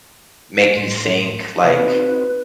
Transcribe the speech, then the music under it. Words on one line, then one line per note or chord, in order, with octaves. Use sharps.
make you think, like,
A2 C6
C3 A#3 B3 B4
C4 D#4 F#4